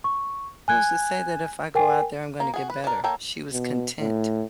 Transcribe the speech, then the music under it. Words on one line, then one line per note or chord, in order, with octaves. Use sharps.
"Who's to say that if I go out there, I'm gonna get better?" She was content.
C#6
G#5 F#6 G#6
A#4 G5 G#5
A#3
F#4 G#4
B4
D4 A#4
A#3 A4 C#5 G5
B2
A2